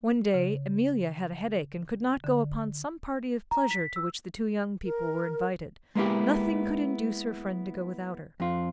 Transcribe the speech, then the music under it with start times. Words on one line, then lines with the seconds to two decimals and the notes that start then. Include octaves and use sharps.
One day, Amelia had a headache, and could not go upon some party of pleasure to which the two young people were invited: nothing could induce her friend to go without her.
0.34 C#3
2.24 D3
3.51 A#5
3.71 B6
3.96 E6
4.84 A#4
5.95 G#3 A#3 B3 E4 G4
8.40 F2 F4